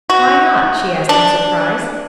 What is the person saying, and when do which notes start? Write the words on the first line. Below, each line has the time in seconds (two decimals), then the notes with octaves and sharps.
"Why not?" she asked in surprise.
0.10 F#4
1.09 D4